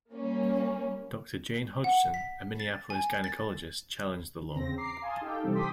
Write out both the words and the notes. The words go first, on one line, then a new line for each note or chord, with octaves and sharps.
Doctor Jane Hodgson, a Minneapolis gynecologist, challenged the law.
G3 A#3 C#4
F#5
B6
A6
G#5
A6
E2 C#3 C4 A#6
A#5 D6 C7
F5 G#5 A5 C6 D#6
D#4 G4 A4 F5 G5
C3 E3 G3 C4 G4 A4
G5 C6 D6 D#6 B6